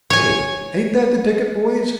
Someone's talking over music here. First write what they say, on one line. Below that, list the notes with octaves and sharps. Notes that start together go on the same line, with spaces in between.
"Eh, ain't that the ticket, boys!"
C#5 G#5